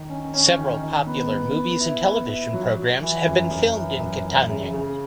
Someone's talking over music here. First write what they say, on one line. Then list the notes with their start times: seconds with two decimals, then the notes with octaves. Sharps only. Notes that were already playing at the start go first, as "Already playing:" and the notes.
Several popular movies and televisions programs have been filmed in Kittanning.
Already playing: D#3
0.09 C#4
0.34 C#4
0.58 D#3
0.83 D#3
1.07 B3
1.31 B3
1.55 B3
1.80 E4
2.04 B3
2.29 E4
2.53 F#3
2.78 F#3
3.02 E3
3.26 F#2
3.51 F#2
3.75 E3
4.00 F#2
4.24 E3
4.48 C#3
4.73 C#3